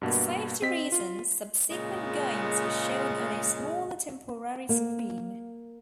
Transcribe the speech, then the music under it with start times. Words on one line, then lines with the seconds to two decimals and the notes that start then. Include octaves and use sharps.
For safety reasons, subsequent games were shown on a smaller, temporary screen.
0.01 G2 B2 A#3
0.62 C4 D#5 B6
0.92 F4
1.70 A#2 C#3 G#3
4.69 A#3